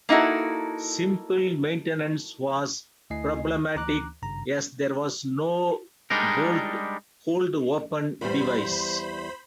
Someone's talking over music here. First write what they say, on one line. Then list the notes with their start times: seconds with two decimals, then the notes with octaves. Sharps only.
Simple maintenance was problematic as there was no bolt hold-open device.
0.09 A#3 D#4 E4 F#4 A4
3.10 D2 A3 E4 D#5 G#5 C7
3.75 D2 E3 A#5 D6 F#6
4.22 G#1 G2 C#3 A#5
6.10 G3 G#3 D4 D#4 A#4
8.21 E2 G3 C5 B5